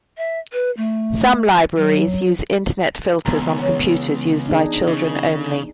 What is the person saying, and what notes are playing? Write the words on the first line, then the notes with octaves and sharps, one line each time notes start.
Some libraries use Internet filters on computers used by children only.
E5
B4
A3
F#3
C#2 E3 B3 A#5
C#3 C#4 F#4
D4 D#4 G#4
C#3 D#5